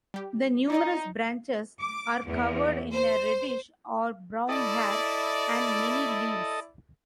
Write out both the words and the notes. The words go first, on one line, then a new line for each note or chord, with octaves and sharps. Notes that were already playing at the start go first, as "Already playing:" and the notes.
The numerous branches are covered in a reddish or brown hair and many leaves.
G3 G4
D#4 E4 D5 D#5
D6
E2
C5
E4 A4 D5 D#5